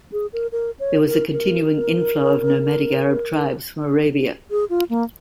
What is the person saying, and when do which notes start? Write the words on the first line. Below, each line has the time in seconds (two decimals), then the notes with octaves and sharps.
There was a continuing inflow of nomadic Arab tribes from Arabia.
0.13 G#4
0.33 A#4
0.52 A#4
0.80 C#5
1.06 A#4
1.32 A#4
4.51 G#4
4.70 F4
4.90 A#3